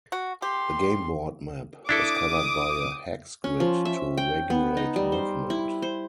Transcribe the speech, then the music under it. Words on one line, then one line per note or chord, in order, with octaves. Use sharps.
The game board map was covered by a hex grid to regulate movement.
F#4
G4 C6
D4 E4 A4 D6 D#6
C#4
F3
E5
G5
B3
D#4
G3
C5
E4
C5